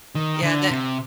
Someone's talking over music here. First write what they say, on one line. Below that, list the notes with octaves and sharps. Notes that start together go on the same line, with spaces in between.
Yeah, and that
D#3
D3
C3